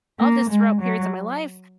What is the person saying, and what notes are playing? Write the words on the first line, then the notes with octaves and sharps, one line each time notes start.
of this throughout periods of my life
A#3
G#3
F#3